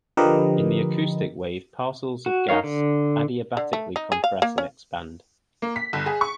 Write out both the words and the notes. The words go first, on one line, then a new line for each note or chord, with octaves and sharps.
In the acoustic wave, parcels of gas adiabatically compress and expand.
D3 F3 G4 A#4 B4 D#5
F#4
D#4 A#4 C#5 F5
D3
D3
A3
D#4
G#4
F5
A#3
C#4
A#3
B6
G1
G#4
C#6